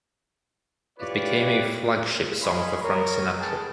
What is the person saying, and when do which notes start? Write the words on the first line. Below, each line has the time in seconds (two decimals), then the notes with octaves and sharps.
It became a flagship song for Frank Sinatra.
0.99 E4 F4 G4 B4 C#5 D5
2.42 C#5 D#5 F5 G#5 B5 C6
2.83 A#4 C#5
3.41 C#4 G#4 B4 G5 A5